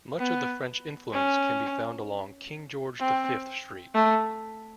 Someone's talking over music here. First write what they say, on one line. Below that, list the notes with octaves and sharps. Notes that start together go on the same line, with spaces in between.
Much of the French influence can be found along King George the Fifth Street.
B3
C#4
C4
A3